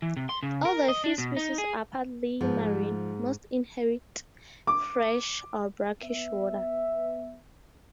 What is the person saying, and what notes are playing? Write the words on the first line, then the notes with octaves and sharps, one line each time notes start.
Although a few species are partly marine, most inhabit fresh or brackish water.
E3
C3
C6
C#3
A#4
D#5
D4
B2
D#4
G#4
G#2 F3
D6
B3 E5